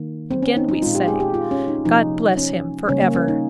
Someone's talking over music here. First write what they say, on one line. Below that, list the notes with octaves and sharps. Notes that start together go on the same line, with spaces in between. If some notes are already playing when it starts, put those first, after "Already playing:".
Again we say, God bless him for ever!
Already playing: D#3 A#3
C4
C#4
D#4
D#4
A#2 G#3 F4
G4
G#4
G4
F4
C#4
D#4
C3 F3 A#3 D#4
C#4
C#3 G3 A#3 C#4
A#3
C#4
D#4